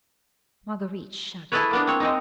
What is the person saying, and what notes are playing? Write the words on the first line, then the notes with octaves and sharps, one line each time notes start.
Marguerite shuddered.
E4 G#4 A4 B4 C#5
A#3 B3 D4
C4 C#5
G#3 C4 D#4